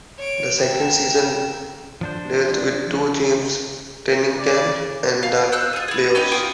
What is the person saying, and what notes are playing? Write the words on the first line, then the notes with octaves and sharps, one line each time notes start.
The second season dealt with two themes: training camp and the playoffs.
C#5 D7
A#4 G5 E6
F3 D4 C5
D5
F5
C5 E6 F#6
F4 G#4
E4 G#4
C#4 D#4 B4 G5
F4 G5 C#6 D#6